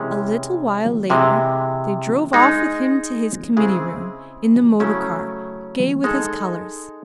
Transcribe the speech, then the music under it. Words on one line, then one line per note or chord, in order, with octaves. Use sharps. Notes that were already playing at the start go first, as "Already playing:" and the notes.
A little while later they drove off with him to his committee room in the motor car gay with his colours.
Already playing: C3 E3 G#3 C#4
C3 E3 G#3
G#3 D#4 G#4
C#3 G#3 C4 E4 G#4
C#3 F#3 A3 C#4 E4
G#3 D#4 A4